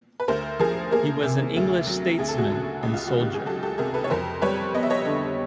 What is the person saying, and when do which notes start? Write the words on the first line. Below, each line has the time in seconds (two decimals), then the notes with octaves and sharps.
He was an English statesman and soldier.
0.20 B4
0.28 D2 A#4 C5
0.60 F3 G#4 A#4
0.91 A#3 G#4 A#4
1.23 C3
1.56 D2
1.87 F#3
2.19 D2 G#4
2.29 A4
2.38 F#4 G#4
2.52 C#3
2.83 C#2
2.94 F4
3.07 F#4
3.15 D#3
3.20 G4
3.34 G#4
3.46 F#3 G4 A4
3.63 G4 A4
3.78 C3 G#4 A#4
3.94 A4 B4
4.04 C#5
4.10 F2 A#4 C5
4.42 G3 B4 C#5
4.75 B3 D#5
4.83 E5
4.90 C#5 D#5
5.05 D3